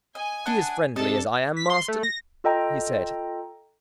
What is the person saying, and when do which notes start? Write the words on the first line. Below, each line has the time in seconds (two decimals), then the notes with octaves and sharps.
"Be as friendly as I am, Marsden," he said.
0.15 D#5 G#5
0.46 D4 D#5 F#5
0.96 C3 D4 A4 D#5 A5
1.56 B6
1.70 C6
1.88 A3
2.03 A#6
2.44 F4 A4 D#5 G5 A#5